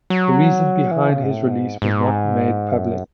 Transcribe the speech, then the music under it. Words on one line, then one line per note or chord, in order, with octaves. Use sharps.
The reason behind his release was not made public.
F#3
E3
C#3
G#2
A2
G#2
G#2
F#2